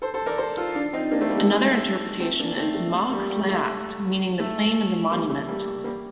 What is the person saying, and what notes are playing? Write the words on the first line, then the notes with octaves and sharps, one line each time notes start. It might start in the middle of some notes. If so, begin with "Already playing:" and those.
Another interpretation is Magh Sleacht meaning the "Plain of the Monument".
A4 C5
A4 C5
A#4 D5
A4 C5
F4 A4
D4 F4
C4 D#4
A#3 D4
A3 C4
G3 A#3
A3
G3
A3
A3
A3 C4
A#3 D4
A3 C4
A3
A3
G3 A#3
G3
A3
A3
G3 A#3
A3
G3 A#3
G3 A#3